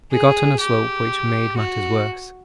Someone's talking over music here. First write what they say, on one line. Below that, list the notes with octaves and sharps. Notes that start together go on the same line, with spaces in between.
We got on a slope which made matters worse.
G#4
G4
F#4